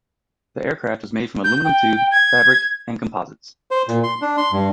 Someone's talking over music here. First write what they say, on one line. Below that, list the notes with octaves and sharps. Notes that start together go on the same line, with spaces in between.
The aircraft was made from aluminium tube, fabric and composites.
G6
G5
G#6
C5
A#2
C6
D4
C6
G2